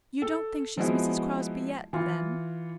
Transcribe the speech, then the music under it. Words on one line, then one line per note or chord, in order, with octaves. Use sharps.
"You don't think she's Mrs. Crosbie yet, then?"
A4
F3 F#3 G#3 B3 E4 F#4
E3 F4